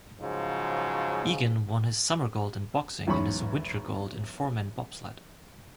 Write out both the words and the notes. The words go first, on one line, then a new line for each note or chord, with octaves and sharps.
Eagan won his summer gold in boxing and his winter gold in four-man bobsled.
G#2 C#3 F3 F#3
B1 E2 G#2 C#4 B5 C#6